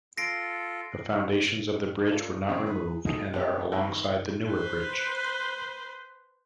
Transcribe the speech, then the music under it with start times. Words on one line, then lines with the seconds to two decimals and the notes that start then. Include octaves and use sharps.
The foundations of the bridge were not removed and are alongside the newer bridge.
0.17 F4 A4 A#6 C7 D7
2.11 C#4 D4 F4 A4 A#4
2.49 G#1 F#2 C#3 C4 D4
2.66 G#4 B4
3.05 B2 D#4 G#4 A4
3.33 B3 C4 G4 A4
3.72 G#1 D#3 G#3 B4 E6 F#6
4.45 B4 C5